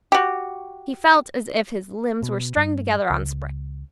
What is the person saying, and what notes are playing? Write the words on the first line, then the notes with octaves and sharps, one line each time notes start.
He felt as if his limbs were strung together on springs.
F#4 G4
B2
G2
C#2